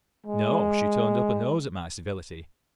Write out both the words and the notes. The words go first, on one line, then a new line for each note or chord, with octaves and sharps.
No, she turned up her nose at my civility.
G#3